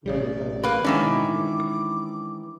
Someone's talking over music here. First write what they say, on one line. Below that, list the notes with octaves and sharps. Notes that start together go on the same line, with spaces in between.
Random House.New York.
A1 C#3 G3 D5
A#3 B4
D#3 E3 G#3 C#4 D4 D6